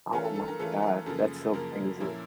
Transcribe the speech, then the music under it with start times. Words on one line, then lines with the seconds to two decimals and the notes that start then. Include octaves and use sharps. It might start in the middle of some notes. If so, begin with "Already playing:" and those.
Oh my god. That's so crazy.
0.13 E3 A3 C#4 F4 A#4
0.24 A4
0.36 A4
0.48 A#4
0.59 E3 A3 C#4 F4 A4
0.82 A#4
1.06 F#2 C#3 F3 A#3 A4
1.53 F#2 C#3 F3 A#3 A#4
2.00 A#2 F3 A#3 C#4 E4